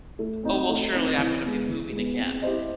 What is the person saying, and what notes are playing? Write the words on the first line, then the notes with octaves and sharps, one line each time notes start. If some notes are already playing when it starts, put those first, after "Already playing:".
"Oh, well surely I'm gonna be moving again,"
A3
C4 D#4
A3
C4 D#4
E3
G#3 B3
E3
G#3 B3
C4
E4 G4 C5 D#5